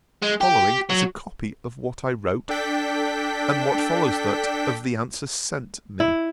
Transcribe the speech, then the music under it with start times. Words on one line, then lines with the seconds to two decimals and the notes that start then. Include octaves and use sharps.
The following is a copy of what I wrote, and what follows that, of the answer sent me.
0.22 G#3
0.41 G4
0.89 F#3
2.49 D4 A4 G5 B6
6.00 E4